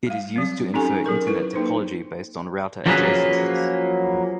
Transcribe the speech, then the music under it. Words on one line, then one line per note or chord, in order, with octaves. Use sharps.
It is used to infer Internet topology based on router adjacencies.
G3 F5
F#3 C4
C#4 D#4 G4 A4 G#5 C#6
F#3 G#4 A#4 C#6
E4 A4 B4
A#3 D#4 B4 C5
F3 F#3 A#3 C#4 G#4 B4